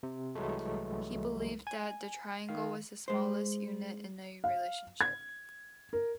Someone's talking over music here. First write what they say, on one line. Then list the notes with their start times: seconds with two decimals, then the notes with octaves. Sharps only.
He believed that the triangle was the smallest unit in a relationship.
0.03 C3
0.35 C2 E3 F#3 G#3 A3
1.67 G#5
2.49 D#3 F5
3.08 G#3 C5
4.44 F5
5.01 G#6
5.93 A#4